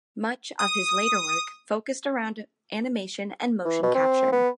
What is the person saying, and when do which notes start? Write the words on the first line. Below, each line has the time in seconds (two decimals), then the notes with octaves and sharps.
Much of his later work focused around animation and motion capture.
0.59 D#6
3.65 E3
3.83 B2
3.95 C4
4.32 B3